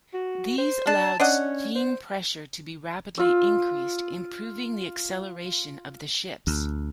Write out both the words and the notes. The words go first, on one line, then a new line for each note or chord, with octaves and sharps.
These allowed steam pressure to be rapidly increased, improving the acceleration of the ships.
F#4
C5
D4 A5
C#4 D4 D#5 F#5
C5
F4 E6
D2